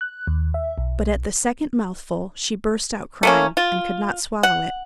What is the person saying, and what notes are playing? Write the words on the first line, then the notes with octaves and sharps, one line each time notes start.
But at the second mouthful she burst out crying, and could not swallow it.
F#6
D#2
E5
B1
A3 A#3 C#4
F4
F#5